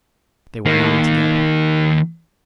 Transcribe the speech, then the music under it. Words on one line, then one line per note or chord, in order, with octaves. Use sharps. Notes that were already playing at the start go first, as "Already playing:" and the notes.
They went on together.
D#3 A#3